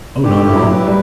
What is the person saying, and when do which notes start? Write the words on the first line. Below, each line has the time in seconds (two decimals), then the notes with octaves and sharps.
'O--not at all.
0.24 D3 G4
0.48 E4
0.55 F#3
0.71 B4
0.87 G3